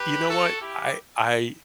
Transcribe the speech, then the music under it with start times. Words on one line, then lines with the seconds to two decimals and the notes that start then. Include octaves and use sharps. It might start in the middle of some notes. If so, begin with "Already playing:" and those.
You know what? I I i
Already playing: G4 B4
0.28 F#4 A4
0.60 E4 G4